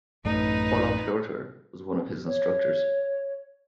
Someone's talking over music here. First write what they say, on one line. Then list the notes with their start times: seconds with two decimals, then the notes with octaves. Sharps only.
Olof Hiorter was one of his instructors.
0.25 A1 F#2 A3 D#4 B4
2.26 C#5